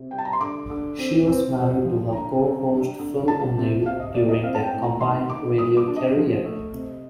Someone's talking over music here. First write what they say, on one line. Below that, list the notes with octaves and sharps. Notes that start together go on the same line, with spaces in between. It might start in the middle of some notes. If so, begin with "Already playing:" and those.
She was married to her co host Phil O'Neil during their combined radio career.
Already playing: C3
G3 G5
A5
A#5
C6
D3 D6
D3
C4
C4
C4
F3
D3 A#5
C4
D4
D3
G3 A5
C3
C3 F5
D#5
A#3 D5
D#5
C4 F5
A5
G5
A2
A#5
D#3 C6
D#3 D6
G3 D#6
D6
D4
D#5
F3
A3
C3